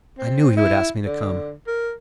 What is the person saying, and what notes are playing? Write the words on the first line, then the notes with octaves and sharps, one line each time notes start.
I knew he would ask me to come.
C4
E4
D3
A#4